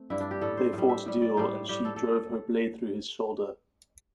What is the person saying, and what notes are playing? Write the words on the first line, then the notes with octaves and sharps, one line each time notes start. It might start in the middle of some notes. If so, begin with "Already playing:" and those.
They fought a duel and she drove her blade through his shoulder.
Already playing: A3 C4
G2 G3 E4
D4
G4
A2 G3 A4
C5
A2 G3
E5
A2 G3
D5
A2 G3 C5
A2 G3 G4
A4
A4